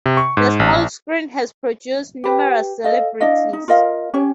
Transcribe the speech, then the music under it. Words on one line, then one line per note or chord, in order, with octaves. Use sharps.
The small screen has produced numerous celebrities.
C3
C#6
G#2
A1
A#1
G4 B4
A4 D#5 F5
D4 E4 D#5 F5
D#4
F4 A#4 D#5 F5
C#4 G4 C#5